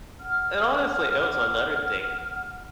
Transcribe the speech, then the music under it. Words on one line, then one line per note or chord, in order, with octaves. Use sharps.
And, honestly, it was another thing.
F#5 F6